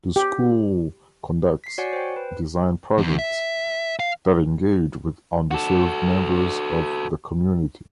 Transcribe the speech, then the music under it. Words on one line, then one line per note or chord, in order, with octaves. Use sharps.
The school conducts design projects that engage with under-served members of the community.
G4
B6 C7
F#4 C#5 D5 F#5 G#5 C#7
C5 G5
B4
E2
E5
F5
F#4 A4